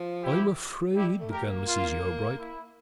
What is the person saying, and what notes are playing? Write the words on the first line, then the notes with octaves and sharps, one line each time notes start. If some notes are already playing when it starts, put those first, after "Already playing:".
"I am afraid--" began Mrs. Yeobright.
Already playing: F3
E4 G4
G3 E4 G4
A3
G4 A#4
A#3
F4
E4